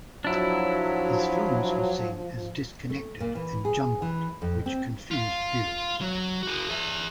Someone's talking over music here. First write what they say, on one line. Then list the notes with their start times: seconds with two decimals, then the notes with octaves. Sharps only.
His films were seen as disconnected and jumbled which confused viewers.
0.25 F3 F#3 D4 E4
2.90 A3
3.20 A#2
3.35 E3
3.65 G#4
4.02 E3
4.42 F2
4.66 C4
5.11 F4 F5
6.01 F#3
6.43 F#4 G#4
6.69 G#4 E5